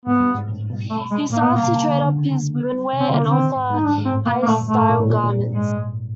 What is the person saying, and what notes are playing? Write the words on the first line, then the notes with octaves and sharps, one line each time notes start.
He started to "trade up" his women's wear and offer higher style garments.
G#2 B3
G2
G#2
A2
B2
A3
G#3
A2 A#3
A#2 B3
B2 A#3
C3
C#3
D3
D3
C#3
C3
C#3 C4
D3
A#3
D3
D#3 C4
B2
G#2
G#2
D#4
G2 D4
G#2
C4
A2
B2 A#3
A#3
A#2 A3
G2
G#2 A3
A2
A#2
A2
A#2
A#2
G2
G#2 G#3